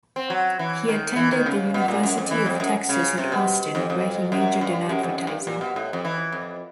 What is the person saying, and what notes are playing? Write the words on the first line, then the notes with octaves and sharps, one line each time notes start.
He attended the University of Texas at Austin where he majored in advertising.
C4
F#3
E3
D#3
E3
D#3
C#3
B2
A#2
F#2
F2
E3
F2
F#2
C#3
C3
B2
F2
F2
F#2
G2
F#2
F2
F#2
G2
A#2
B2
A2
F2
E3
F2